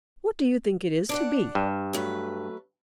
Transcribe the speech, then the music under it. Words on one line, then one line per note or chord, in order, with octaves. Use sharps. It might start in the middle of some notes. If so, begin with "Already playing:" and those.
What do you think it is to be?
D4 D5 F#5
G2
F#3 A3 B4